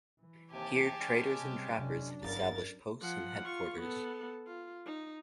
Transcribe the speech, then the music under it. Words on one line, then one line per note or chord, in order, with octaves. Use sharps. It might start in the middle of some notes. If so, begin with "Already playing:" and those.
Here traders and trappers had established posts and headquarters.
E3
D#2 C3 G4 G#5 A5
G#3 C#4
C3 G3
F#2 C3 D4
G1 E2 C#3 E4 A#4 A6
F3 F#5
F4 C#6
B3 A4
F4
D#4